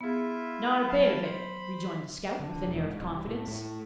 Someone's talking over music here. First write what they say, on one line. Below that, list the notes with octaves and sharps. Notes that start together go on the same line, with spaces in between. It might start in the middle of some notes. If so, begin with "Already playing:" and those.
"Not a bit of it," rejoined the scout, with an air of confidence.
B3 E4 F4 G#4 E5
F#3 E4 F5 A5
C5 B5
D3
E1
G#2
C2
A2
A2